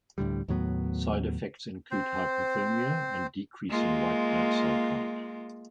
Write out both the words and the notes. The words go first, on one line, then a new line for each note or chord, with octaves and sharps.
Side effects include hyperthermia and decrease in white blood cell count.
D2 A2 D3 G3
D#2 A2 F#3 B3
C4 C5
G#3 A#3 F4